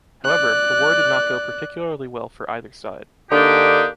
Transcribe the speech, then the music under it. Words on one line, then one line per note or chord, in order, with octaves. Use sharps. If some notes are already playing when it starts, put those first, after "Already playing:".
However, the war did not go particularly well for either side.
D5 F#6
D3 A#3 D4 D#4 G4